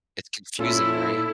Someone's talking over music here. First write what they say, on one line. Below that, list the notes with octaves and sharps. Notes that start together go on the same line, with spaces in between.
It's confusing, right?
A#2 C#4 E4 F4 A4